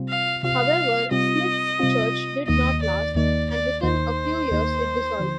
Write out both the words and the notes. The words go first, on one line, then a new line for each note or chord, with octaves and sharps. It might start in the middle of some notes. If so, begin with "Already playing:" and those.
However, Smith's church did not last, and within a few years it dissolved.
Already playing: C3 G3 C4 F4
F5
C3 G3 C4 F4 F5
C3 G3 C4 F4 D#5
C3 G3 C4 F4
D#2 D#3 A#3 D#4 D#5
D5
D#2 D#3 A#3 D#4 D5
D5
D#2 D#3 A#3 D#4 C5
D#2 D#3 A#3 D#4
D3 F3